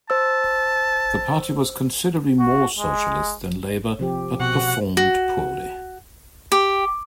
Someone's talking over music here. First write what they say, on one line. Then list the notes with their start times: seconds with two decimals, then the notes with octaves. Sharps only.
The party was considerably more socialist than Labour, but performed poorly.
0.10 C5 A5 E6
2.39 F#4
2.78 G#3
3.99 C3 F3 G4
4.40 B2 F#4 F#5
4.97 F#4
6.52 G4